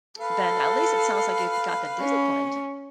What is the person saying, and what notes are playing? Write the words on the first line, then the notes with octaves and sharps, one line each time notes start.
then at least it sounds, like, you've got the disciplined.
A4 B4 F5
C#4